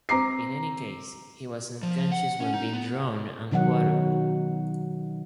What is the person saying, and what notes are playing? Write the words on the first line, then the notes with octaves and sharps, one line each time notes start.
In any case, he was unconscious when being drawn and quartered.
C4 A#5 D6 C7
F3
F#5
C#4
D#4
B3
B2 D#3 F#3 D#4 F#5